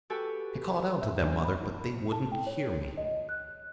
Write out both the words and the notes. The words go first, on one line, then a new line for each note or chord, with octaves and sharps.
"I called out to them, mother, but they wouldn't hear me."
F#4 G4 A4 B4 G#5
E5
D4
B5
E4
A5
G5
C#5
D#5
F#6